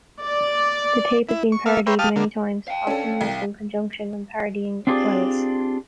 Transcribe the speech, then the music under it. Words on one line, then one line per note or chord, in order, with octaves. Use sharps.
The tape has been parodied many times, often used in conjunction when parodying Welles.
D5
E4
C#6
A#3 E5 F5
B4 C#5 E5 G5 A#5 C6
G4 F5 A5 D#6 F6
D3 A#3
F5 G5
C#4 D4 A4
C2
C4 D4 F4 G4 G#4 D5